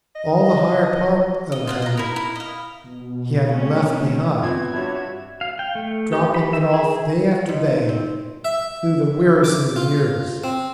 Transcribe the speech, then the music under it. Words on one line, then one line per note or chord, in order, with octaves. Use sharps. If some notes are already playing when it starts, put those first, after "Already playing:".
All the higher part of him he had left behind, dropping it off day after day through the wearisome years.
D#5
D#5
F4 F5 F#5
D#5 A#5
E4 A#4
E4
D#5 F5
B2
A3 C4 C#4
B3 C4 F4 G#6
G2 D4 F#4 C#5 E5
F5
G5
A3
G4
B5
E5
G#4
F#4
G#2
C4
E5
D6
F4
C4